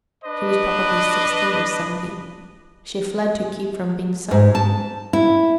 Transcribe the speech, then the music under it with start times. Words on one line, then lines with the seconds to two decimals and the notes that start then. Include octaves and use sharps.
She was probably sixty or seventy. She fled to keep from being sold.
0.24 D4 B4 D#5
4.31 G#2
4.55 A5
5.13 E4